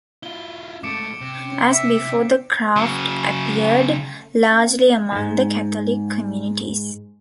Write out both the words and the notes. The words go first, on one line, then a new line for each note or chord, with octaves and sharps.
As before, the craft appeared largely among the Catholic communities.
E4 F4 G7
G#2 A3 D6 C#7 D7
C3
E5
C#3 F#3
D#2 G#2